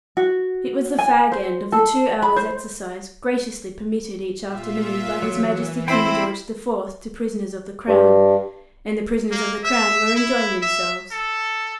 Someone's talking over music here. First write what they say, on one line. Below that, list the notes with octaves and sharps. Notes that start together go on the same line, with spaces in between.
It was the fag end of the two hours' exercise graciously permitted each afternoon by His Majesty King George the Fourth to prisoners of the Crown, and the prisoners of the Crown were enjoying themselves.
F#4
G#5
C5
A4
B5
C5
A#2 F4 E5
E3 F#3
C4 E4 C5 G5 B5 C6
G2
A#3
E5
E4
E5
A4